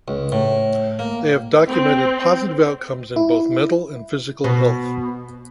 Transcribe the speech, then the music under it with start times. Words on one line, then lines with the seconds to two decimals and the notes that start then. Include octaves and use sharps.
They have documented positive outcomes in both mental and physical health.
0.08 C#2
0.32 A2
0.99 A#3
1.69 C4
3.16 E4
4.44 B2